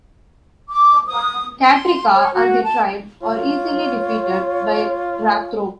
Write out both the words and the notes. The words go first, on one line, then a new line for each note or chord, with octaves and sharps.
Katryca and the tribe are easily defeated by Drathro.
D6
D#6
C6
C#5
F#4
A5
F4 C#5